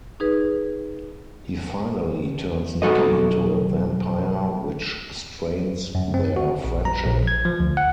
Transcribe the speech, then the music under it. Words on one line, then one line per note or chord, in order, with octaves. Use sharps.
He finally turns Nicki into a vampire, which strains their friendship.
D#4 G#4 B4
B1 C3 F#4 A4 D#5
F#2
C4
F#4
A#1
A#5
A#1
G#6
F3
D2
F#5